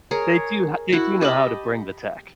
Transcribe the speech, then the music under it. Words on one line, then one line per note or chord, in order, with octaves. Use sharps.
They do h they do know how to bring the tech.
G#4 A#4 C#5
E4 F#4
G4 D#5 A5 B5